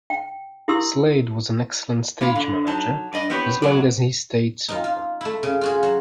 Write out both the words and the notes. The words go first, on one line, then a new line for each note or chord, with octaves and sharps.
Slade was an excellent stage manager as long as he stayed sober.
G5
E4 G4 A#4 C6 D#6 E6
A#3 E4 F4 F5
D3
F#3 D#4 A5
G2 D5 D#5
B3 C4 E4 G4 B4 C#5
B2 F#3 G#3 D5
D#4 F4
F4
A3 E4
C#3
F4 F#4 G#4
F#3 C5